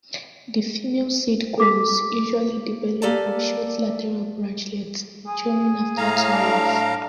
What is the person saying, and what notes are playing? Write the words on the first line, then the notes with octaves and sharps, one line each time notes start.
The female seed cones usually develop on short lateral branchlets, maturing after two years.
A4 D6 B6
A#3 G4 A4 D5 G#5 A5
G#4
A2 F5 A#5
D4